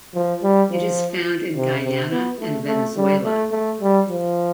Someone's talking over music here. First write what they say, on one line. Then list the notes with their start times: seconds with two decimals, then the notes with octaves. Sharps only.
It is found in Guyana and Venezuela.
0.15 F3
0.43 G3
0.71 F3
1.56 C3
1.84 C3
2.11 B3
2.39 A3
2.67 A3
2.96 G3
3.24 A3
3.52 A3
3.81 G3
4.09 F3